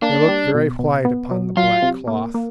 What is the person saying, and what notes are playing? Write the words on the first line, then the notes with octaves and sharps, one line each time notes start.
They looked very white upon the black cloth!
A#3 D4
G3
B2
B2
B3
F#3
F#3 F4
C3
A#3
A#3